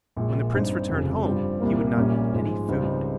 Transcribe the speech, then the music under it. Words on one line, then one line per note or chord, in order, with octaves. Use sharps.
When the prince returned home he would not eat any food.
A#1 A#2 G#3
G2 G3 C4 D#4
F1 F2 C#3
G2 G3 C4 F4
C2 A#2 G3 A#3
A#1 A#2 G3 A#3 C#4
G#2 F3 G#3
C#2 C#3 G3 C4 D#4